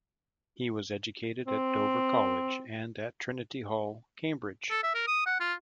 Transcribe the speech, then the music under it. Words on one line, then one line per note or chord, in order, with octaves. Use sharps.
He was educated at Dover College and at Trinity Hall, Cambridge.
C4
A4
E5
A#4
D#6
F#5
F4